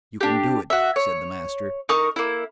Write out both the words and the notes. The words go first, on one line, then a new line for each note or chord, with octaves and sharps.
"You can do it," said the master.
D4 G4
F#4 E5
C#5
D#4 A#4 C#6 D#6
A#3 E4